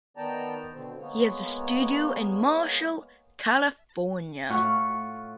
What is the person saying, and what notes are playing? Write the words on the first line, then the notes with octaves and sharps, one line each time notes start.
He has a studio in Marshall, California.
D#3 B3 D5 G5 A5 A#5
B2 D3 C4
G#3 A#3 B3 C#5
A2 F4 F#5 C#6